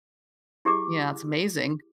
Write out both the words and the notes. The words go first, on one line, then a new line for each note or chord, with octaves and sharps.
Yeah. It's amazing.
E4 G4 G#4 D6